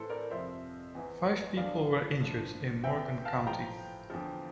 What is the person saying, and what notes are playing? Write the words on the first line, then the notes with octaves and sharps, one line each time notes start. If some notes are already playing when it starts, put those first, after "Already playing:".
Five people were injured in Morgan County.
Already playing: A2 E3 A4 C5
A#4 D5
F2 C3 F3 C5 E5
E2 E3
E2 D3 F3 D5 F5
G2 F3
E2 C3 E3 E5 G5
F5 A5
A2 F3 G5 A#5
E2 D3 F3